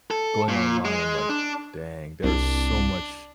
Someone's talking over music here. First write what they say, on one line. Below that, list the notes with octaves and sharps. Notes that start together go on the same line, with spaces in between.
going online, I'm like, "Dang there's so much
A4
A#2
G#3
D4
C2 D4